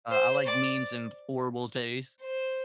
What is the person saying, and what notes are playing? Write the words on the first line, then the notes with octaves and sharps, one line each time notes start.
Uh, I like memes in horrible taste.
C5
D5
C5